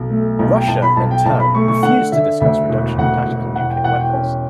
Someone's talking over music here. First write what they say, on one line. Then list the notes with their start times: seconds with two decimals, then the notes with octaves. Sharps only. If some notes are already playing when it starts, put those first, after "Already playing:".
Russia, in turn, refused to discuss reduction of tactical nuclear weapons.
Already playing: B1
0.10 A3
0.39 B1
0.56 G5
0.68 B1 A5
0.82 B5
0.96 B1 A5
1.11 G5
1.25 B1 A5
1.40 B5
1.54 A3 C#6
1.68 C#6
1.83 D3 F#5
2.12 D3 E5
2.40 D2 E5
2.69 E1
2.98 D2 F#5
3.27 E1
3.56 E1 F#5
3.70 G5
3.84 E1 F#5
3.99 G5
4.13 C#4